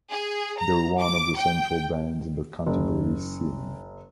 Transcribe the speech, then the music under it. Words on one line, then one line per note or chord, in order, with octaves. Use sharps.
They were one of the central bands in the Canterbury scene.
G#4
A#5
D6
G5
F#1